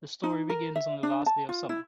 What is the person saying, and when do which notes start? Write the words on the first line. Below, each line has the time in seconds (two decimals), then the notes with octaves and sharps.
The story begins on the last day of summer.
0.23 D#4
0.49 A#4
0.76 E5
1.03 D4
1.26 A5
1.49 F4
1.69 E4